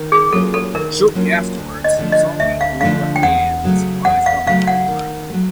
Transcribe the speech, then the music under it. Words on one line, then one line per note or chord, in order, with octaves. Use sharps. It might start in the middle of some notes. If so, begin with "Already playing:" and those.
Shortly afterwards, zombie gorilla hands rise up from the ground.
Already playing: D#3
G#4
F#3 A#3 C#4 F4 A4
A4
D#3 A#4
F#3 A#3 C#4 F4
D2
D#5
D3 F3 A3 D4
D#5
D2 E5
F5
D3 F3 A3 D4 F5
G5
E2 F#5
C#3 F#3 A3
E2 F#5
F5
C#3 F#3 A3 F5
F#5
D#3
F#3 A3